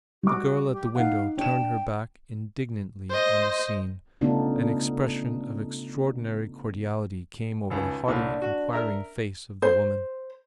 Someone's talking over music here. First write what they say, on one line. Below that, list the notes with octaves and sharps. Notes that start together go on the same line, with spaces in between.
The girl at the window turned her back indignantly on the scene; an expression of extraordinary cordiality came over the haughtily inquiring face of the woman.
G3 F#4 D6
G4
D#4 F5 F#5
D4 G5 E7
C5 D#5
C#3 A3 B3 D4 D#4 F4
G#1 C#2
C2 A2 A#3 D4
F#4
A#4 E5 A#5
C5